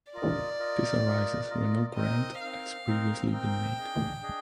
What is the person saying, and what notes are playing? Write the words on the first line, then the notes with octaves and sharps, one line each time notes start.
This arises where no grant has previously been made.
F4 A#4 D5 D#5
F4 A#4 D#5
F4 A#4 D#5
F4 A#4 D#5
C4 D#4 A#4 D#5
C4 D#4 A#4 F5
C4 D#4 A#4
C4 D#4 A#4 G5
D4 G#4 D#5
D4 G#4 D#5